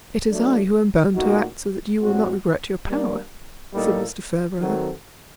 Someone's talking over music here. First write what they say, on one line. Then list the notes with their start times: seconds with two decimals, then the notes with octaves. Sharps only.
"It is I who am bound to act so that you will not regret your power," said Mr. Farebrother.
0.28 F#3 A3 D4
1.14 A#2 A3 D#4 F#4
2.01 A2 G3 C4 F#4
2.86 G3 A#3 D4
3.73 A2 G3 A#3 D#4 A4
4.59 D#3 F#3 C4 F#4 A4